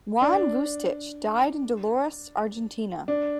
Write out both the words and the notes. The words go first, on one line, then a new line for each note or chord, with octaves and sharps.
Juan Vucetich died in Dolores, Argentina.
D4
D4